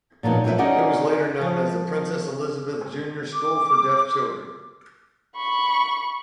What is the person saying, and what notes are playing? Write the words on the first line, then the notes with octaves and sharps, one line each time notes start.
It was later known as the Princess Elizabeth Junior School for Deaf Children.
A#2 F3 F#3 B3 D#4
F3 F#3 C4 G4 B4 E5
C#4 D#4 F#4 D5 D#5 F#5
F3
D6
B5 C#6